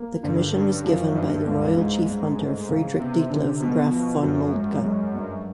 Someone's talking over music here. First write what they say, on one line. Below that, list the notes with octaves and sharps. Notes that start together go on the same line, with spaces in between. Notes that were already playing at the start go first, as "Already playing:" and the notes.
The commission was given by the royal chief hunter Friedrich Detlev Graf von Moltke.
Already playing: A#3
G2 D3
G2 C#4
F#2 F3
G2 E3
C#2
G#2 G#3
G2
A3
C#3
C3 B3
D3
B2 B3
F3
F#2 F#3
G#2
G#3
G2